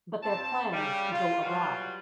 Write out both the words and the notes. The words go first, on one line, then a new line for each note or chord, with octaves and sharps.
But their plans go awry.
G2 C4 A5
C#3 G3
F4
E3 F#3 G3 F4